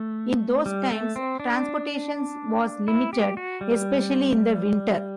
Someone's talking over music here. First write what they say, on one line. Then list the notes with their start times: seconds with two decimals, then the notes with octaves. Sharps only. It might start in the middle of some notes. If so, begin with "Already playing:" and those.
In those times, transportation was limited, especially in the winter.
Already playing: A3
0.66 G3
0.91 A3
1.16 C4
1.40 D4
2.88 E4
3.13 G4
3.37 F#4
3.61 G3